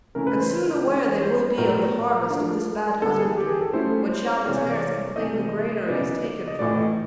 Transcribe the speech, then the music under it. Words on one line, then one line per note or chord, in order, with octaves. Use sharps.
And soon aware they will be of the harvest Of this bad husbandry, when shall the tares Complain the granary is taken from them.
C#3 E3 A3 C#4 E4 A#4
B4
C5
E3 G#3 C#4 E4
C5
A2 F#3 B3 E4 A#4
F3 A3 D4
D3 G3 A#3 D4 A4
G#4
G4
G#4
A4
F#3 A3 C#4 E4 C5
C5
C#5
C3 E3 G#3 C4 D5
C#5
D5
C3 E3 A3 D#5
D#5
C#3 F#3 B3 D#4 D5
D#5
A2 E3 A3 D5
D#5